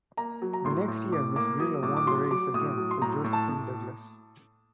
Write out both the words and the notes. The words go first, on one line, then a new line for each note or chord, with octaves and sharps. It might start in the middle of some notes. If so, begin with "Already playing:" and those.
The next year Miss Grillo won the race again for Josephine Douglas.
A#3 A#5
F#3
A#5
A2 C6
A2
A2 D6
A#3 D6
F#3 D#6
A2 D6
D6
F#3 C6
F#3 D6
A2 D#6
F#3
C6
A2 A#5
A2
A5
A2